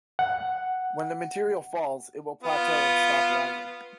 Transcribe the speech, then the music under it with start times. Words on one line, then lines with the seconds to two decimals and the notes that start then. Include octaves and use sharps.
When the material falls, it will plateau and stop rising.
0.19 F#5
2.43 B3 F4